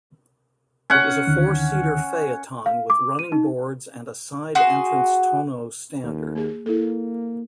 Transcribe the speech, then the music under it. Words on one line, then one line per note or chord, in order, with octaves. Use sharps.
It was a four-seater phaeton with running boards and a side-entrance tonneau standard.
C#4 F#5
D2 D3 D#3
F5
D6
D#7
D#4
F#4 G#4 C6
D#2
A#3 G#4
A#3 E4 A4